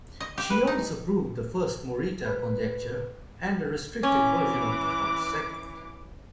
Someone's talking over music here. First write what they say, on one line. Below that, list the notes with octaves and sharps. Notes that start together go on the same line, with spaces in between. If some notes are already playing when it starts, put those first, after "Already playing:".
She also proved the first Morita conjecture and a restricted version of the second.
D#5
G4
B4
D#4
B4
E3 C#4 D6